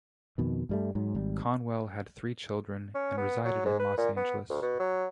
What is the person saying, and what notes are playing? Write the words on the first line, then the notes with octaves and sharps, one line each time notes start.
Conwell had three children and resided in Los Angeles.
F2 B2 D#3
G2 G3 A3
G#2 F#3
G#1 G3
C#4
B3
F#3
G#2
B4
A#2
B3
D2
B2
F#3